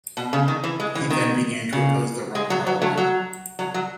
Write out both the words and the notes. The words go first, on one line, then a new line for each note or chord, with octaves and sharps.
He then began to oppose the Rump Parliament.
B2
C#3
D#3
E3
G#3
E3
D#3
C#3
G#3
F#3
F#3
F#3 A3
F#3
F#3
F#3